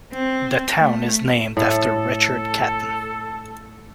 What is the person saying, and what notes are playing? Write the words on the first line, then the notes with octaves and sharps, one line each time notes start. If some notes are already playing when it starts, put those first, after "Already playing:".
The town is named after Richard Caton.
C4
A3
A2 A4